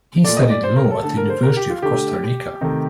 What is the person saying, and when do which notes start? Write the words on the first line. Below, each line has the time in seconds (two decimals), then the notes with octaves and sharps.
He studied Law at the University of Costa Rica.
0.24 A#2 A3 D5
0.37 D#5
0.50 D5
0.63 C5
0.76 A#4
0.91 A4
1.03 D3 A3 A4
1.17 A#4
1.30 C5
1.43 A#4
1.57 G4
1.70 F4
1.82 D3 A3 G4
2.61 C3 D#3 A3